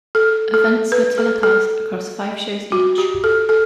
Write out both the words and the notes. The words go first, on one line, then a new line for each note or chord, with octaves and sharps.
Events were telecast across five shows each.
A4
A4
B4
A4
A4
F#4
G4
A4
A4